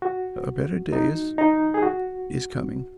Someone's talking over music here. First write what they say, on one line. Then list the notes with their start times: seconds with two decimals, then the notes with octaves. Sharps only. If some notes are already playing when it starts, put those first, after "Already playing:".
A better day is--is coming.
0.02 F#4
0.93 D#4
1.38 D#4
1.74 G#4
1.83 F#4